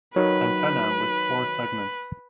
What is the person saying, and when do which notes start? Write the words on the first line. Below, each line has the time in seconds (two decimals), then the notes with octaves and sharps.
Antennae with four segments.
0.16 D#3 F#3 B4